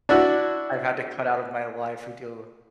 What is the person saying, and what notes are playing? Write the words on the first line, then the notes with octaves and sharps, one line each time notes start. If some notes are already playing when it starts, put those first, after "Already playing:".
I had to cut out of my life who do
D4 E4 F#4